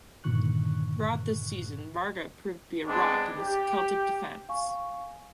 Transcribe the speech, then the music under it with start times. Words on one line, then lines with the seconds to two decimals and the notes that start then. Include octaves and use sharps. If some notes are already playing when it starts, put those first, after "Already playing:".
Throughout this season Varga proved to be a rock in the Celtic defence.
0.24 G2 A#2 D3 D#3 C#6 F#6
2.86 G#3 B3 C4 D4
3.36 G4
4.49 F5 G#5 C#6